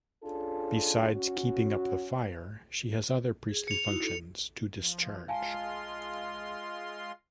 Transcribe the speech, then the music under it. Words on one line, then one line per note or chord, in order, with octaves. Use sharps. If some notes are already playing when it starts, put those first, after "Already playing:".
Besides keeping up the fire she has other priestly functions to discharge.
C#4 D4 F4 G#4 A4
C#4 F#4
G#4
C#7 F7
D#4 E4 F#4
A4
F3
G#3 F4 F5 G#5 A5 C6